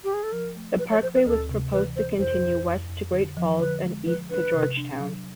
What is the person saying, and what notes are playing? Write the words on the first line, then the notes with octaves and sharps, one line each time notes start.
The parkway was proposed to continue west to Great Falls and east to Georgetown.
G4
G#4
A4
F3 A#4
A3
F3 B4
C#5
F3 C5
B4
D2 A4
C3
E3 B4
E3 C5
F2 C5
F2
F2
F2
D3
F3
D3 B4
G#3
F3 B4
D4 B4
C3
D4
F#3